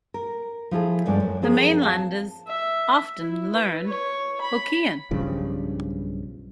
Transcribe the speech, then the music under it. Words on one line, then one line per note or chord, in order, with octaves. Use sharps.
The mainlanders often learned Hokkien.
A#4
F3 E4 G#4 A4
E2 G2 G#3 A3 D4 D5
F#2
F3 C4 G#4 A#4
F5 F#5 A5
E5
E4
B4
C#5
B5
B1 G2 C#3 F3